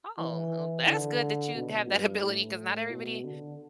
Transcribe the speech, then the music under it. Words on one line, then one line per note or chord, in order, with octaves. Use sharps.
Oh, well that's good that you'd have that ability, 'cause not everybody
E3
D3
B2
G2
A2
B2
D3